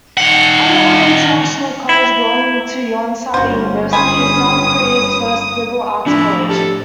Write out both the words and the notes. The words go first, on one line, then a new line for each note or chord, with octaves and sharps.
Underwood International College belonging to Yonsei University is South Korea's first liberal arts college.
D#3 F#5
E4
G1 C#4 F#4 C5
C4 G#5 B5 C6 D#6
A2 F3 D4 E4
G4 A4